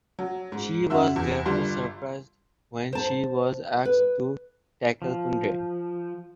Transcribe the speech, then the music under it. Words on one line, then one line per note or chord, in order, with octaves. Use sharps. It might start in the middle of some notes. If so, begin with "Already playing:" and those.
She was therefore surprised when she was asked to tackle Kundry.
F#3
G#2
F#2 F#4 E5 C6 E6
E2
G1 G3 F4 C6
C5 A5
B4
F3